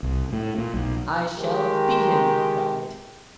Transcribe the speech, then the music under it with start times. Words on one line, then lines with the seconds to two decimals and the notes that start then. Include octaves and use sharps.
"I shall beat him!" he cried.
0.03 C2
0.33 A2
0.58 A#2
0.74 B1
1.38 D#3 G#3 G4 A#4